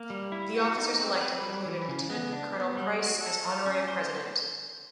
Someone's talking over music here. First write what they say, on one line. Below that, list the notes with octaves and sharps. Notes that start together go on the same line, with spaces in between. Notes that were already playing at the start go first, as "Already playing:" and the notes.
The officers elected included Lieutenant-Colonel Price as honorary president.
Already playing: A#3
G3
E4
F#4
D#4
C4
B4
G3
E3
C#3
B3
D4
B3
G3
F#4
A4
F4
C#4
C5